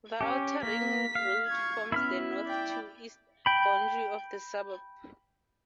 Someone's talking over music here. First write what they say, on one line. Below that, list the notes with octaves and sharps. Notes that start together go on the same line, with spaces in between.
The outer ring road forms the north to east boundary of the suburb.
C#4 G4
A#3 B6
F5
C#6 G#6
B3 C#4 E4 B5 F6
D5 G5
G5 B5